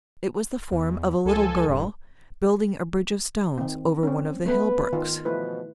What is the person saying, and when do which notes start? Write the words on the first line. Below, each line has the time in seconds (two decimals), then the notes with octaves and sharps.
It was the form of a little girl, building a bridge of stones over one of the hill-brooks.
0.72 E2
1.25 C#2 F3 A4 G#5
1.68 D#1 G2
3.58 D#3 C4
4.03 C4 C#4
4.46 A3 B3 B4
4.93 D#3 F4
5.25 B2 E3 F3 A3 E4 B4